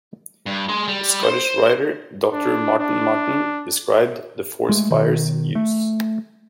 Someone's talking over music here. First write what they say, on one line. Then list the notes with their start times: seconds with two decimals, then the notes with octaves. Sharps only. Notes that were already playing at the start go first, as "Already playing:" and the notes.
The Scottish writer Doctor Martin Martin described the force-fire's use.
0.46 G2
0.69 G#4 C6
0.87 G3
1.24 C5
2.33 D4
2.79 D4
4.69 G#3 A3
4.91 B2 D#3
5.55 A3